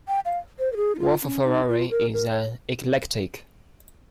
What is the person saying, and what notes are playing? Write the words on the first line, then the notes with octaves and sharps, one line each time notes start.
Wolf-Ferrari is an eclectic.
G5
F5
C5
A#4
G#4
D#4
F4
C#4
D#4
F4
A#4
A#4
C#5